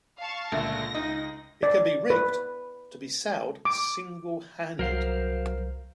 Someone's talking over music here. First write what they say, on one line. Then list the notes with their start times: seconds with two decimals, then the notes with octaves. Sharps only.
It can be rigged to be sailed single-handed.
0.19 F5 A5 C#6
0.52 C#2 A#2 D3 A3 A#6
0.95 C#2 D#4 D#5
1.63 D5
2.10 B4
3.65 D6
4.79 C2 F#3 A#4 C5 F5